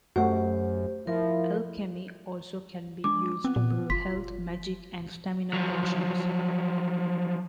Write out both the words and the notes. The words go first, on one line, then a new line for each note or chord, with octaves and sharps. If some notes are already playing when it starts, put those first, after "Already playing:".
Alchemy also can be used to brew health, magic, and stamina potions.
F#2 A3 F#4 G4 C5
F3 E4 A#4
G#3 D4 D6
B3 C4
A#2
F#1 F4 C6 B6
F3 F#3